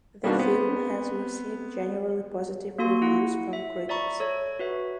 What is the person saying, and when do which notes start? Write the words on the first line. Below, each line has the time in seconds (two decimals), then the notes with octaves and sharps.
The film has received generally positive reviews from critics.
0.24 G3 A#3 B3 D4 D#4 F#4
0.36 B3 C4
2.78 A#3 F#4 A4 C6
3.02 E4 F#5
3.53 E5
3.89 D5 E5 A#5 B5 C#6
4.20 A4 C#5
4.59 F#4 B4 E5